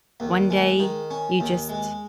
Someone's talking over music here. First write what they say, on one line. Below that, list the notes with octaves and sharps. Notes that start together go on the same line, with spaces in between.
one day, you just
D#2
G#3
D#3
C#4
D#2
G#3